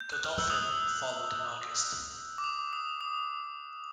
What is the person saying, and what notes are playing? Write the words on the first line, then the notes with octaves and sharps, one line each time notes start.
Godolphin followed in August.
G6
F#6
F6
E6
D#6
D6
D#6
D#6
D#6